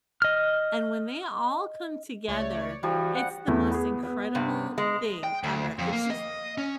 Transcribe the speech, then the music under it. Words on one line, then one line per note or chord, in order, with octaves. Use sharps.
and when they all come together, it's the most incredible thing ever. It's just
D#5 F6
C#2 A3 C#5 D5
E3 F3 G3 F#4
F#5
E2 A3 E4
B3 G#4
B3
G2 C3
G#3
G5
D2
F2
A#3
D#5
C#4